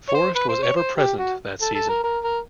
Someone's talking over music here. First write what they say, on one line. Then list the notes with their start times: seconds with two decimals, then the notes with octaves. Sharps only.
Forrest was ever-present that season.
0.09 C#5
0.14 C5
0.35 B4
0.49 C5
0.63 C#5
0.76 C5
0.98 G4
1.19 F#4
1.61 A4
1.75 A4
1.89 A#4
2.04 A#4
2.24 A#4